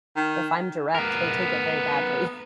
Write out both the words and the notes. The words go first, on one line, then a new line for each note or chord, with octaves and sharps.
if I'm direct, they take it very badly.
D#3
B3 A#4